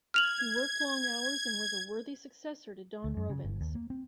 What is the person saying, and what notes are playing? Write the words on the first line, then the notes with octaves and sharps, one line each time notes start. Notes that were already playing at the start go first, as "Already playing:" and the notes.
He worked long hours and was a worthy successor to Don Robins.
F6 G#6 F7 F#7
D2
F#2
C#3
G1
D#2
A#3
C4